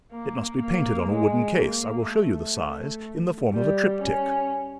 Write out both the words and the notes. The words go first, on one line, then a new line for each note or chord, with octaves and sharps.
It must be painted on a wooden case--I will show you the size--in the form of a triptych.
A#3
A#3
G#3
A#3
A3
G3
C#4